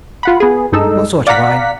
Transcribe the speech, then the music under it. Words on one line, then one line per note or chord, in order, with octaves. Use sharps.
"What sort of wine?"
F4 F#5 B5
B3 G#4
G2 G#3 D#4 A4 E6
D5 F5 F#5 A#5 B6